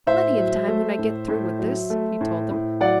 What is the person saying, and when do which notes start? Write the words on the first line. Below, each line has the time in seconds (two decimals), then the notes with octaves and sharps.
"Plenty of time when I get through with this," he told them.
0.07 A2 C5 E5
0.37 F#3
0.68 A3
0.99 A2
1.28 A2
1.59 F#3
1.90 A3
2.21 A2
2.51 A2
2.81 F#3 D5 F#5